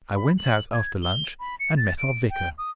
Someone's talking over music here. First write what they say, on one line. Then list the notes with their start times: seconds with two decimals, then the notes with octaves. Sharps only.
I went out after lunch, and met our Vicar.
0.15 B5
0.38 F#7
0.73 G#6
1.02 G7
1.40 B5
1.60 C#7
1.77 A6
1.98 D7
2.30 G5
2.58 D#6